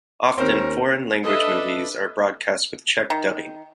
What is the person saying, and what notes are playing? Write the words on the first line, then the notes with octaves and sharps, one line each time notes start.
Often, foreign language movies are broadcast with Czech dubbing.
D#2 C4 C#4 A#4 C5
D4 A4 B4 D#5 E5
D#3